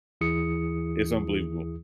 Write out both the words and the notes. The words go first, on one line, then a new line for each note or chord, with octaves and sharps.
it's unbelievable,
D#2 E3 E4 G#4 D#6 C#7